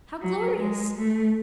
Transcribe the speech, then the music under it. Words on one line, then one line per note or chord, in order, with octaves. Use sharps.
How glorious!
F#3
G#3
A3